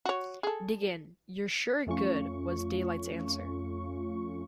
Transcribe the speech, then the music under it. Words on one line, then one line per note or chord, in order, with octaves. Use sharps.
Dig in; you're sure good, was Daylight's answer.
F#4 C#5
G#4 A4
F2 A3 C#4 F4 C#6